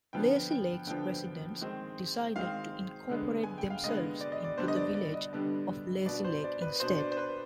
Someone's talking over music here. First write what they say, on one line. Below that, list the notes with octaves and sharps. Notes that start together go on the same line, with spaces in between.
Lazy Lake's residents decided to incorporate themselves into the Village of Lazy Lake instead.
D3 F3 B3 G5
G5
D3 F3 B3 G5
D#3 G#3 C4
D#3 G#3 C4 F5
D3 G#3 B3
G#5
G5
F5
D3 G#3 B3 D#5
D5
D#5
D5
D3 G3 B3 D4 C5
D#5
D5
D5
D#5
D3 G3 B3 D4
B2 B3 D4 D5
C5
D5
B4
B2 B3 D4 C5
D5
C5
B4